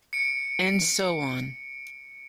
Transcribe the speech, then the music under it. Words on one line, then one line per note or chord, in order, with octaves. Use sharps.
And so on.
C#7 D7